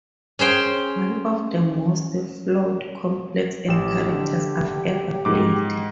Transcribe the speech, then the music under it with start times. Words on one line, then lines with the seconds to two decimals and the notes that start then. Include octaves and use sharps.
One of the most flawed, complex and characters I've ever played.
0.39 C#4 G#4 C5 G5
3.68 A1 G4 E7
4.12 D3
5.25 G#2 D6